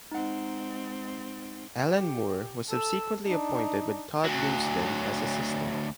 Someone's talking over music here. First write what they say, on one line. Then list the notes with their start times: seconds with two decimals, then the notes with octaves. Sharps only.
Allan Moore was subsequently appointed with Todd Lumsden as assistant.
0.11 G#3 C4 D#4 F#5
1.87 G4
2.70 A4 E6
3.26 D4 D#4
4.24 D2 F#3